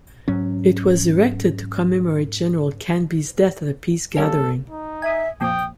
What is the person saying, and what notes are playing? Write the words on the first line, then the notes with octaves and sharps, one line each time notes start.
It was erected to commemorate General Canby's death at a peace gathering.
G#2 F#3 C#4
G3 A#3 C#4 A4
D#4
E5 G#5 D#6
F2 A#2 G5 D#6